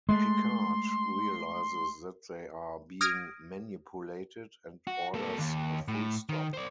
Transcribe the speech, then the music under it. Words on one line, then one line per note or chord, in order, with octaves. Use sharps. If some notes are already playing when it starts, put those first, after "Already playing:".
Picard realizes that they are being manipulated, and orders a full-stop.
G#3 A3 C6
D#6 F6 G#6 A#6 D7
F#4
A#3 A4
D#2
A2
D#3
C5 D5